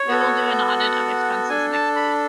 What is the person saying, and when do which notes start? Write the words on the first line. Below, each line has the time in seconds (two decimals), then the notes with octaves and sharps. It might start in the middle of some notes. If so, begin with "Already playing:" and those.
We will do an audit of expenses next week.
Already playing: C#5
0.08 B3 F#4 A4
0.79 F#5
1.49 D4 A4 G#5
1.72 A5
1.96 B5